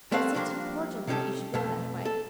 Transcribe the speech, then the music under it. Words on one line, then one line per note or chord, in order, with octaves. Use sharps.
"Is it important that you should go that way?"
G3 A3 A#3 C4 F5 F#5
F3 G3 A#3 D4
C3 C#4 D#4 G4 A4
B1 F2 A3
A4